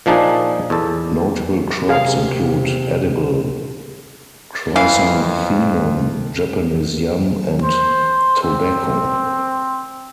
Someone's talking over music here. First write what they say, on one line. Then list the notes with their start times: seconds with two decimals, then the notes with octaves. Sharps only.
Notable crops include edible chrysanthemum, Japanese yam and tobacco.
0.06 A#2 F3 D4 D#4 G#4
0.70 E2 A4
1.89 C3 G#4 F5
4.76 F2 E3 F5
7.64 C5
8.43 C4